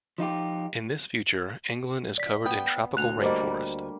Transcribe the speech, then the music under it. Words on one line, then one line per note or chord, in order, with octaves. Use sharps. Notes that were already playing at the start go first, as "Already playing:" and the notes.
In this future, England is covered in tropical rainforest.
F3 D#4 F4 G4
D5 B6
B3 G5
D2 F#6 F7
G3 A#3 C5 D#5 F#5